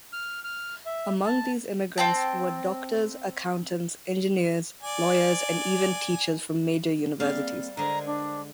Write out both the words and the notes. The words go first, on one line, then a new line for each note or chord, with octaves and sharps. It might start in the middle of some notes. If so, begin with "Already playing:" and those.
Among these immigrants were doctors, accountants, engineers, lawyers and even teachers from major universities.
F6
F6
E5
A5
C4 G5 A5
D5 G#5
G3 A#3 C4 G#4 F5
D3 G#3 A#4 C5 D#5 A#5
D4